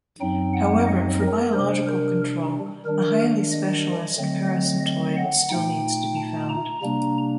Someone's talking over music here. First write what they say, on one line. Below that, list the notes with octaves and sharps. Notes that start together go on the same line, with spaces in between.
However, for biological control a highly specialist parasitoid still needs to be found.
F#2 F#3 C4 D#4 G5
F#5
D#5
A#4
C3 G3 D4 C5
A#4
D#3 G3 D4 A#4
D#5
D3 F#3 A3 C4
D#5
D#5
F#5
A#2 A3 D#4 G5
A5
A#5
C3 G3 A#3 D4 A#5